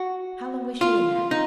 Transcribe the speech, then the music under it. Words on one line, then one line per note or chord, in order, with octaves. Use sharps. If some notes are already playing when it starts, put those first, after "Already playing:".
"How long was she in there?"
Already playing: F#4
F4
D#4